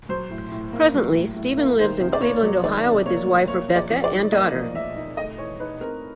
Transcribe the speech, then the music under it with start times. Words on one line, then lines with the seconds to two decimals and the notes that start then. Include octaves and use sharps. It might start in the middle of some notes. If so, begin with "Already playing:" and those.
Presently, Stephen lives in Cleveland, Ohio with his wife Rebecca, and daughter.
0.09 F#3 C5
0.30 A2
0.52 A2
0.73 A#3
0.94 F#3
1.15 A2
1.36 A2
1.57 A#3
1.79 D#3 C5
2.00 C3
2.13 D5
2.21 A#3 C#5
2.43 F#3
2.63 D#3 D5
2.85 C3
3.06 A#3 C#5
3.27 F#3
3.48 A#3 C#5
3.69 F3
3.76 D5
3.90 F3
4.04 D5
4.12 D#4
4.32 A#3 D#5
4.54 F3
4.74 F3 E5
4.96 D#4
5.17 A3 D#5
5.38 E3 C#5
5.60 D#4 B4
5.81 C4 A#4